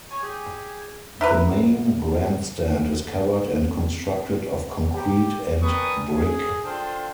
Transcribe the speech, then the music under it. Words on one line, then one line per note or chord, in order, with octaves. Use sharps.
The main grandstand is covered and constructed of concrete and brick.
C#5 G#5
G4 G#4
E4 A#4 B4
C4
G4
G3 C#4 A#4 B4 C#6 D#6
G#4
D4 F4 A4 C5 F5 G5